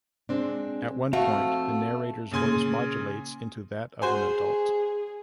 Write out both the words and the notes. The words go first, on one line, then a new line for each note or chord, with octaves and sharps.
At one point the narrator's voice modulates into that of an adult.
G#3 C4 D4
A3 C4 F#4 C5 F5
A#2 C#3 G#5 C6 G#6
F#4 G#4 C5 G#5